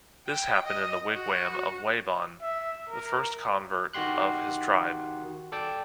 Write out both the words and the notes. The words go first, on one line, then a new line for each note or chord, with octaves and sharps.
This happened in the wigwam of Waban, the first convert of his tribe.
G5
D#5
F#4
E5
A#4
D#3 F#4 G4 C6 F#6
A4 D5 G5 A5